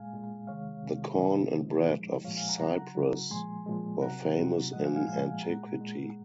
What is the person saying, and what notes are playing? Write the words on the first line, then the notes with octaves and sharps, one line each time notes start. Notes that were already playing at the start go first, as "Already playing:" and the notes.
The corn and bread of Cyprus were famous in antiquity.
Already playing: A#2 G#3 F5 G#5
A#2 G#3
C3 D#3 G#3 C#5 F5
C3 D#3 G#3
C3 D#3 F#3 C5 D#5
C3 D#3 F#3
A#2 F3 G#3
A#2 F3 G#3 C#5 F5
F5 G#5
F#5 A#5
C#3 F#3 F#5 A#5
C#3 F#3
A#2 F3 G#3 G#5 C6
A#2 F3 G#3
C3 F#3 F#5 A#5
C3 F#3
A#2 F3 G#3 D#5 F#5
F5 G#5
F5 G#5
A#2 F3 G#3 F5 G#5
A#2 G#3 F#5 A#5
A#2 G#3